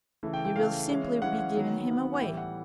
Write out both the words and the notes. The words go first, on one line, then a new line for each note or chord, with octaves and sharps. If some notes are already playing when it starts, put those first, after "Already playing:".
You will simply be giving him away.
C#3 E3 A3
G5
G5
C#3 E3 A3 F5
E3 G#3 C#4
E3 G#3 C#4 F#5
F#5
D#3 F#3 B3
D#3 F#3 B3
F#5
A2 E3 G3 G5
F#5